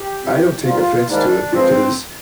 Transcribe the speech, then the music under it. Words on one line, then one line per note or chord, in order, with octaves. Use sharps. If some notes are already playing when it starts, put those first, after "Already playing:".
I don't take offense to it because,
Already playing: G4
F2 C3 G3
G#2 G3 A#3 F4
G#2 D#3 G3 A#3 D4
G2 F3 G#3 C4